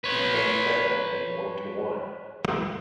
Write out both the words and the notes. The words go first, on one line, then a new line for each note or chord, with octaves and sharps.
He came second in One to One!
B4 C#5